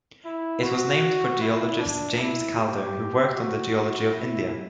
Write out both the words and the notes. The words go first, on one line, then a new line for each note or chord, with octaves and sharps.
It was named for geologist James Calder who worked on the geology of India.
E4
F#4
E4
D4
E4
G4
F#4
E4